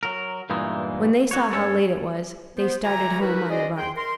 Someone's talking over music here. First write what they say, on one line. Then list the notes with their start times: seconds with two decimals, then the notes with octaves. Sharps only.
When they saw how late it was, they started home on the run.
0.03 F#3 A#4
0.50 E2 G2 A#2 E3 G#3 D#4
1.31 F#3 F#4 C#5
1.53 G2 C#4 A4 C#5
2.57 B3 C5
2.83 D3 A3 F#4 G4 G#5 A#5
3.20 D#4 E4 F#4 A#4 B4
3.49 C#4 G#4 C5 D5 D#5
3.77 G#4 G5 C6
3.96 A#4 C6